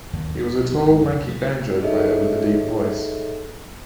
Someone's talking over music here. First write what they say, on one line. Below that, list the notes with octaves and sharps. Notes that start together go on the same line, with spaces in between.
He was a tall, lanky banjo player with a deep voice.
D#2
B3
B1
E2
G#1
F2
C2
F3
C#3
D#4 G#4 A4 C#5 D#5 E5